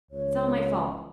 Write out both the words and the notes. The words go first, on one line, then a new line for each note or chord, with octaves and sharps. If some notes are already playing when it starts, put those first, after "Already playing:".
It's all my fault.
C#2 C#5